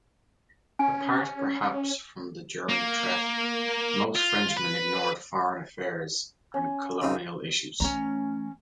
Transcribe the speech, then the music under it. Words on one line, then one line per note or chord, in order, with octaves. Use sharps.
Apart perhaps from the German threat, most Frenchmen ignored foreign affairs and colonial issues.
C#4 G#5
A#3
F4
B4
C#4
C#3 C4 D#4
E3 A3 C#4 A#5